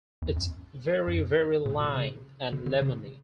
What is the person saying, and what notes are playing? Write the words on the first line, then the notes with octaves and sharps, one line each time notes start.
It's veri veri Lime and Lemoni.
E2
F#2
F#2
A#2
B2
C#3
D3
D3
C#3